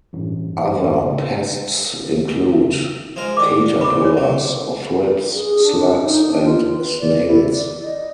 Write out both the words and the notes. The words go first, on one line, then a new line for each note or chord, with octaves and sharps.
Other pests include caterpillars, thrips, slugs and snails.
A1 G2
F3 G#3 A#4
D#3 D4 D6
D4
C4 B5 D6
C#5 G#5
F#3
G#4
D4
D#4
D4
F4
B4
D5
E4
D5
D#5